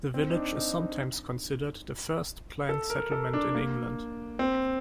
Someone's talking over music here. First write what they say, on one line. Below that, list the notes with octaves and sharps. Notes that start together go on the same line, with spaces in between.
The village is sometimes considered the first planned settlement in England.
C4
D#4
D4
D#4
A4
A#4
A4
D4
A#3
C4